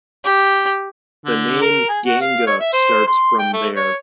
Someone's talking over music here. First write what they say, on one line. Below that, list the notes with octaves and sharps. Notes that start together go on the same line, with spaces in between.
The name Ganga starts from their.
G4
D3
A#4
G#4
F#4
F5
C#5
E5
C5
C6
G5
A3
C#5